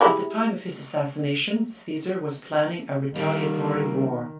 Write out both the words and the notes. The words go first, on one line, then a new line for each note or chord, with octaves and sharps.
At the time of his assassination, Caesar was planning a retaliatory war.
E4 G4 G#4
D#3 G3 A#3